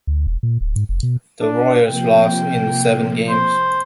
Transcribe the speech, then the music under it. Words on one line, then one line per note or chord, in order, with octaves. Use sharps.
The Warriors lost in seven games.
D2
E1
A#2
D1
G#2
F1
B2
D4
C3 F3 A#3 G5
C5